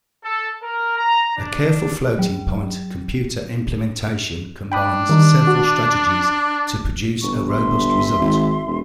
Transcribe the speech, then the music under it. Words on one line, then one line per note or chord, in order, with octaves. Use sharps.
A careful floating point computer implementation combines several strategies to produce a robust result.
A4
A#4
A#5
D4
F#3
D4 G5 B5 D#6
D#3 G3 D#4
F#4
G1 C#6
E5 C6
G#1
E1